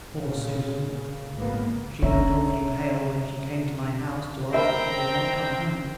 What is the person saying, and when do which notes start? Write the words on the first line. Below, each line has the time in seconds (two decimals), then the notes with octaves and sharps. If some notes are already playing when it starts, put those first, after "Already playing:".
Poor Susan! she looked awfully pale when she came to my house to ask if he had not come home.
0.16 A#2 C#3
1.34 G#1 C#3 A#3 B3
2.02 C#4 C#5 E5 A#5
4.53 C4 A#4 E5 G5 A#5 B5